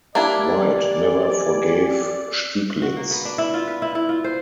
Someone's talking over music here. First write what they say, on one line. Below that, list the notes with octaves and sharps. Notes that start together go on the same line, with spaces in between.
White never forgave Stieglitz.
A#3 D4 E4 G4 D5 G#5
F#4
A#3
B3
D4
E4
F4
B4
E4
E4
F4
C5